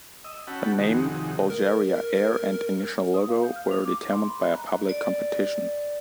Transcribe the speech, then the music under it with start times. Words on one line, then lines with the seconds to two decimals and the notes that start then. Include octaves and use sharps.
The name "Bulgaria Air" and initial logo were determined by a public competition.
0.24 D#5 E6
0.47 C#4 F#4 F#5 G5 A5 B5
0.79 F2 C3 D#3 G#3 D#4 F#4
1.50 A#4
3.14 D#6
3.28 F5
3.43 G6
3.56 F6
3.71 F7
3.85 D6
3.98 D6
4.13 C6
4.29 B5
4.43 F#6
4.56 A#5
4.89 D5